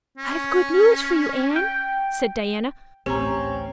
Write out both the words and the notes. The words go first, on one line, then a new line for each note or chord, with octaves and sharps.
"I've good news for you, Anne," said Diana.
C#4
G5
A1 D2 C4 C#4 G4 C#5 A#5